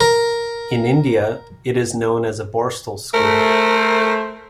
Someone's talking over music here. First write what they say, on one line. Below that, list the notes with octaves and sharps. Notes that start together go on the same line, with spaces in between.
In India, it is known as a borstal school.
A#4
A3 A#4 C5